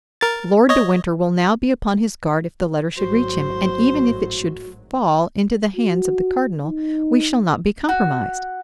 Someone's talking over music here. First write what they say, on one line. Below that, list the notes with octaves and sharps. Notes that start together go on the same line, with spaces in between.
Lord de Winter will now be upon his guard if the letter should reach him; and even if it should fall into the hands of the cardinal, we shall not be compromised.
A#4 A6
C#5 D#5
G#1 A2 F#3 F#4 C5 C6
F#4
D#4
F#4